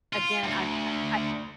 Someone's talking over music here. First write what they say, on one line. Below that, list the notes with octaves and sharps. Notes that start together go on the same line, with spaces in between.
again I've I I
F4
D2